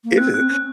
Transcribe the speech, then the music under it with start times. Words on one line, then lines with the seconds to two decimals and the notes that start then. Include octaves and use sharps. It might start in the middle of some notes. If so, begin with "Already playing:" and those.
it ju
0.04 A#3
0.17 C4 F#6
0.34 C4 F#6
0.50 C#4 F#6